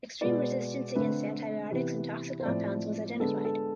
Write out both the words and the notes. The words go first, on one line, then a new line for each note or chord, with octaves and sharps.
Extreme resistance against antibiotics and toxic compounds was identified.
B2 G#3 B3 D5
D3 A3 C4 B4
C3 E3 B3
C5
A2 F3 A3 C4 D5
D3 G#3 B3 A4
A4